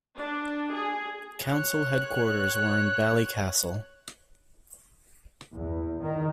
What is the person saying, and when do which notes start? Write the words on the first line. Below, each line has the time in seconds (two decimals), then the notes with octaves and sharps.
Council headquarters were in Ballycastle.
0.17 D4
0.74 G#4
1.42 C#5 F#6
5.55 E2
6.01 D#3